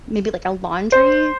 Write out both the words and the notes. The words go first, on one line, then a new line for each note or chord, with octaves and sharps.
maybe, like, a laundry
C5